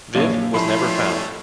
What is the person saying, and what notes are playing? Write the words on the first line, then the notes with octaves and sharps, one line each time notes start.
Viv was never found.
A#1 F#2 A#3 C#5 F5
F3 G3 A3 C#4 E4 A5 B5 C6